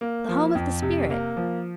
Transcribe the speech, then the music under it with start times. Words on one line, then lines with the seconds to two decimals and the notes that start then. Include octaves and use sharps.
The Home of the Spirit!
0.01 A#3
0.29 F3
0.55 F2
0.82 C3
1.10 A#3
1.37 F3